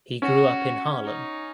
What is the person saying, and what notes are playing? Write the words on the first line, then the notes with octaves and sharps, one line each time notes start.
He grew up in Harlem.
C#4 F#4
D#4